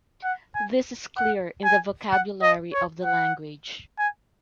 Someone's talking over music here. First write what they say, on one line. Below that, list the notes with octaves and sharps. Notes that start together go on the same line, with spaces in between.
This is clear in the vocabulary of the language.
F#5
G#5
F#5
G#5
F#5
D#5
C#5
F#5
G#5